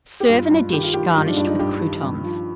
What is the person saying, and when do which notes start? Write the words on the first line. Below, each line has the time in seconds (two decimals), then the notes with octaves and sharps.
Serve in a dish garnished with croutons.
0.20 G4
0.29 G2 F4
0.51 G2
0.72 D#3 G4
0.83 F4
0.93 D#3 G4
1.11 F4
1.15 G2 D#4
1.26 D4
1.37 G2 D4
1.47 D#4
1.59 G2 G4
1.80 D#3
2.02 G2
2.23 F3